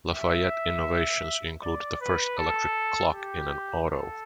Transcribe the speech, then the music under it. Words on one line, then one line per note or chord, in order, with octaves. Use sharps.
LaFayette innovations include the first electric clock in an auto.
E5
D5
B4
A4
G4
A4